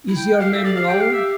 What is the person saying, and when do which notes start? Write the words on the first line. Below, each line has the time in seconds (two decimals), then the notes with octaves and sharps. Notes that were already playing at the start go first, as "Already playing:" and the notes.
Is your name Lowe?
0.08 E4
0.17 G5
0.40 G4 F5
0.52 A4 E5
0.64 G4 D5
0.76 G4 F5
0.88 G4 G5
1.01 F5
1.12 E5